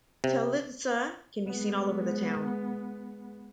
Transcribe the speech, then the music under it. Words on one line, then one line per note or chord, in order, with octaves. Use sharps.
Ptylitza can be seen all over the town.
C3
G#3 B3